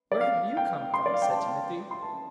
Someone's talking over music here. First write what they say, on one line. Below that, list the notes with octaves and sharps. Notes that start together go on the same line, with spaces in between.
"Where have you come from?" said Timothy.
D5
F5
G5
C6
D5
F5
G5
A5
C6
A5